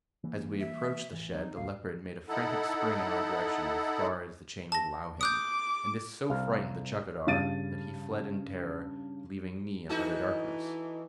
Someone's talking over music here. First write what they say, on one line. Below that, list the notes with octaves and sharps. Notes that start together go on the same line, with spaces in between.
As we approached the shed, the leopard made a frantic spring in our direction as far as the chain would allow him, and this so frightened the chaukidar that he fled in terror, leaving me in utter darkness.
E3 A#3
E5
A1 E3
F#3 G#3 C4 D#4
A#1 D#2 A2 F5
D#4 E4 A4 F#5
A5 A#6
D6 D#6 F#6 G6
C2 F5
G2 C#3 F5 A6 D#7
E3 D#4 F#4 A4